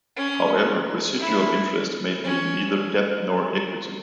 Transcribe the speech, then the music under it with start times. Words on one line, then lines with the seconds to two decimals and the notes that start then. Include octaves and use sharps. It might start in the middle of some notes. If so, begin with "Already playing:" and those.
However, residual interests may be neither debt nor equity.
0.16 C#4
1.20 E4
2.24 C#4